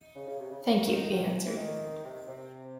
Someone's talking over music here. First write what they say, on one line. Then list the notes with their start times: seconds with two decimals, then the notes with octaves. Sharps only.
"Thank you," he answered.
0.16 C#3
0.27 C#3
0.39 C3
0.51 C#3
0.63 C#3
0.86 D#3
1.10 D#3
1.22 E3
1.34 F3
1.46 E3
1.57 D#3
2.05 C3
2.28 C3